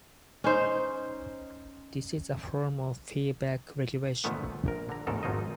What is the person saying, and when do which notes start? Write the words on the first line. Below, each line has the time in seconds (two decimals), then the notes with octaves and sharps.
This is a form of feedback regulation.
0.44 C#4 D#4 C5
4.24 A#2 D3 D#3 F3 A3 B3
4.66 A#1 A#4
4.89 D3 A#5
5.07 A1 E2 G#2 C#3 A4 A#4
5.23 G#1 G#2 F3 F#3 D#4 D#5